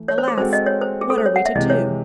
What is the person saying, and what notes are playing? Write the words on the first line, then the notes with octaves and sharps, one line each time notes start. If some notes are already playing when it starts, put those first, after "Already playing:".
Alas, what are we to do?
Already playing: E3 A3
C#5
C5
G#4
G#3 C4 F#4 A4 C5
D#5
C#5
C5
G#4
A4
C5
C#5
F#5
E5
C3 E3 G#3 D#5
C#5